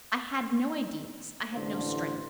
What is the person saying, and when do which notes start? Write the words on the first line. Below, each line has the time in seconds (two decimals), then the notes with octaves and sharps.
I had no ideas; I had no strength.
1.55 A1 D3 E3 C5